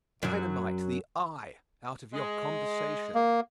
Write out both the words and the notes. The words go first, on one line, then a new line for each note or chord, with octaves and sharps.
Dynamite the "I" out of your conversation.
F#2 F#3
G#3
A#3